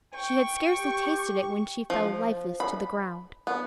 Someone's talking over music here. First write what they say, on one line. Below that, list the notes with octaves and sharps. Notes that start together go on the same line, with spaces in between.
She had scarcely tasted it, when she fell lifeless to the ground.
G5 C#6
G4
F3
B5
B3